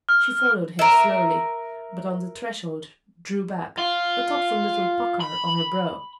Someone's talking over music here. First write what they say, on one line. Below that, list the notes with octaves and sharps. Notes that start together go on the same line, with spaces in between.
She followed him slowly, but on the threshold drew back, a thoughtful little pucker on her brow.
F6
A#4 E5
F4
B5